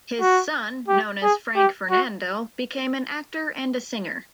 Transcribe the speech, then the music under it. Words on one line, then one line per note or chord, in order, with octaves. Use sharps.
His son, known as Franck Fernandel, became an actor and a singer.
F#4
G4
G#4
G4
F#4